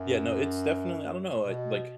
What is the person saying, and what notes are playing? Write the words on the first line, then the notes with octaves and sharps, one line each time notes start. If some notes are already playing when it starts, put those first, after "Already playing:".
Yeah, no, it's definitely I don't know it, like
Already playing: F#2
B2